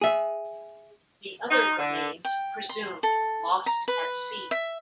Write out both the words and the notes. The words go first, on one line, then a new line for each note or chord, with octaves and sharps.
The other remains presumed "lost at sea".
G#4 E5
D#4
D3
G5
C6
A4
A#5
B4
E5